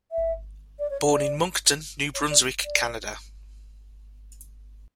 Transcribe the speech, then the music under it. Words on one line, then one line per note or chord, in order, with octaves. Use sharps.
Born in Moncton, New Brunswick, Canada.
E5
D5
C#5
D5
C#5
D5
D5